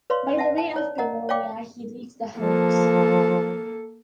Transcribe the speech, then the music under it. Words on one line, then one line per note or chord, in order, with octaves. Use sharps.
By the way of Pannonia, he reached the Huns.
B4 C#5 D5 F5 C6
D4 E5 F#5 A5
A5
C#5 D5
A#4 D#5 F#5 A#5
C#5 D5 F5 G5 D6
F3 A#3 A4